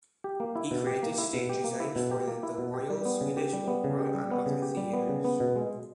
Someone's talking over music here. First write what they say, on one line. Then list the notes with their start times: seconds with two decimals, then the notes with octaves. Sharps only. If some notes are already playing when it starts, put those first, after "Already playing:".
He created stage designs for the Royal Swedish Opera and other theaters.
0.24 G4
0.40 A#3
0.56 E4
0.71 B2
0.87 G4
1.03 A#3
1.18 E4
1.34 B2
1.49 G4
1.64 A#3
1.80 E4
1.96 B2
2.11 G4
2.28 A#3
2.43 E4
2.58 B2
2.74 G4
2.90 G3
3.05 B3
3.21 C#3
3.37 G4
3.53 G3
3.68 B3
3.84 C#3
3.99 G4
4.15 G3
4.31 B3
4.46 C#3
4.62 G4
4.77 G3
4.93 B3
5.09 C#3
5.25 B3
5.40 B2
5.56 G#3